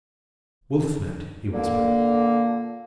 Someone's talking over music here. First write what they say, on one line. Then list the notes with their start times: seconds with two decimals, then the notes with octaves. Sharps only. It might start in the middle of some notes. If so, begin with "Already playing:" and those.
"Wolf night!" he whispered.
1.53 A#2 D3 A#3